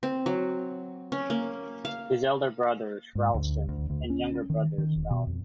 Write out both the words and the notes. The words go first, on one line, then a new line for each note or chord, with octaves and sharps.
His elder brother is Ralston and younger brother is Ralph.
C4
F#3
C#4
A#3
F5
G#2
D2
D2
D2
C#4
D#3
D#3
E1
B2
F2